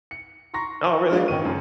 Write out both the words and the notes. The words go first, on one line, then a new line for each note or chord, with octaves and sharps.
Oh, really?
C#7
A#5 C6 C#6 A#6
C#6
F3 G#3 B3 D4 F4
A1 D#3 C5 G5 C#6 D#7
F#2 C#3